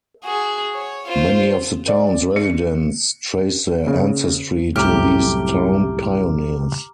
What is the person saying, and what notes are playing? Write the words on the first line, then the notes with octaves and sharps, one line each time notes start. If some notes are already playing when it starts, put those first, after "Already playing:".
Many of the towns residents trace their ancestry to these town pioneers.
F#4 G#4
C#5
F4 C5
D5
C#7
C#3
C2 F#2 A2 A3 G4 A#5 D6 F6